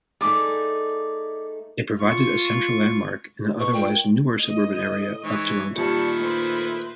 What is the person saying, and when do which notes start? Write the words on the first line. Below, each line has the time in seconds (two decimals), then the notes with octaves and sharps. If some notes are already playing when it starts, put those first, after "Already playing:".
It provided a central landmark in an otherwise newer suburban area of Toronto.
0.21 A3 D#4 G#4 D5 D6
2.00 F4 C#6
3.60 B2 C#6
3.73 A#2 G5
4.43 A2 D#5
5.24 G#2 E3 C#5
5.74 A#2 D#3 G3 E4 A5 C#6
6.22 A3 B4 C5